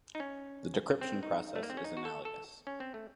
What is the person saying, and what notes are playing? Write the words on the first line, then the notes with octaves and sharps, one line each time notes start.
The decryption process is analogous.
D#4
C#4
C4
D#4
A3
A#3
C4
C#4
D#4
F#4
A4
A4
C#4
C4
A3